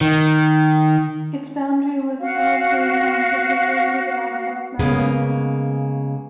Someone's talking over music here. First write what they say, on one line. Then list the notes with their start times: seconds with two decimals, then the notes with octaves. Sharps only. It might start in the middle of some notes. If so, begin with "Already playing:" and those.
Its boundary with Salisbury Township is located on South Mountain.
0.01 D#3
2.20 F#4 F5
4.79 C#3 G#3 A#3 B3 G#4 B4